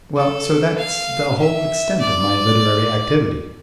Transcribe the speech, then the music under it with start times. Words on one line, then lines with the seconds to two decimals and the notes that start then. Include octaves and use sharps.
Well, so that's the whole extent of my literary activity.
0.16 A4
0.78 F5
1.39 E5
2.00 D5